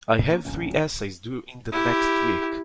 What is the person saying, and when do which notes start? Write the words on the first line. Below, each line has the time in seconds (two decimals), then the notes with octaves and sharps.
I have three essays due in the next week.
0.19 A2
0.31 A#3 C#4
0.45 D1 A#1 C#4
1.72 E4 G4